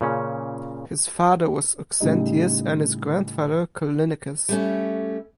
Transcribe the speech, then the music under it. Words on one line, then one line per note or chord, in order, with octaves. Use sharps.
His father was Auxentius and his grandfather Callinicus.
A#2 C#3 C#4
A2 C#3 G3 D#4
G3 A3 C#4